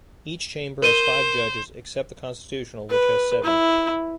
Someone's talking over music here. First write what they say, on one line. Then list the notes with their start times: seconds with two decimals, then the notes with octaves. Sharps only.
Each chamber has five judges, except the constitutional, which has seven.
0.82 A#4 C5 D#7 G7
2.90 B4
3.44 E4